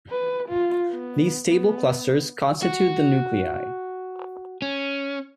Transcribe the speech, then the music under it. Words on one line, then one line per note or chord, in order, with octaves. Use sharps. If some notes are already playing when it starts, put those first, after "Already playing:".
These stable clusters constitute the nuclei.
B4
F4
B3
B3
F#4
C#4